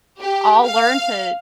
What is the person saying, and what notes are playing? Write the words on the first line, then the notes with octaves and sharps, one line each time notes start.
all learn to,
G4
F5